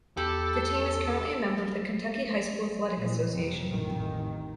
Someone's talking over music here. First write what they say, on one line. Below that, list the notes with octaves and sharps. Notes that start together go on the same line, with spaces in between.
The team is currently a member of the Kentucky High School Athletic Association.
E2 G4 A4 B5 E6
A#2 E3
F2 C3
A1 F2 D#3